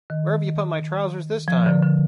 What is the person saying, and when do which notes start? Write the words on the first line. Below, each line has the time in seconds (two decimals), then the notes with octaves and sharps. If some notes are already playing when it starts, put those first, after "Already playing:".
Where've you put my trousers this time?
0.10 D#3
1.48 F3
1.66 D3
1.82 D3